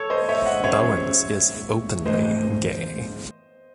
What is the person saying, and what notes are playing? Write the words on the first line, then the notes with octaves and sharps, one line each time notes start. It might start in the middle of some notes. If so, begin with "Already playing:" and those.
Bowens is openly gay.
Already playing: A4 C#5
C5 D#5
C#5 E5
D#5 F#5
F#3 C#4 G#4 C5 C#5 E5
G#2 E3 A3 C5 D#5